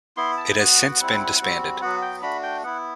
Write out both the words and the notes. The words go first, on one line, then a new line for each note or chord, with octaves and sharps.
It has since been disbanded.
B3 E4 C6
A5
B3 F#4 F#5
G3 C4 E4
G3 C4 F#4
F#3 B3 F#4 F#5
G5
A3 D4 F#4 B5
G5
B3 E4 F#5